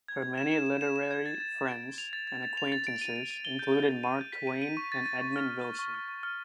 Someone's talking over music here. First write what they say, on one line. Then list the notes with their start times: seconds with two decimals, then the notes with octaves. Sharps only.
Her many literary friends and acquaintances included Mark Twain and Edmund Wilson.
0.08 G#6
0.22 G#6
0.38 E7
0.51 E7
0.66 E7
0.81 E7
0.96 E7
1.11 G#6
1.26 A6
1.40 A6
1.54 A6
1.69 D7
1.83 D7
1.98 F7
2.13 A6
2.27 A6
2.43 A6
2.57 F7
2.72 A6
2.87 D7
3.01 D#7
3.16 D#7
3.31 D#7
3.45 G7
3.59 G6
3.74 G6
3.89 G7
4.03 D#7
4.19 G6
4.32 B6
4.47 D#7
4.62 D#7
4.77 C#6
4.92 A6
5.06 A6
5.21 C#6
5.36 F6
5.50 C#6
5.64 C#6
5.79 C#6
5.94 F6
6.08 C#6
6.23 F6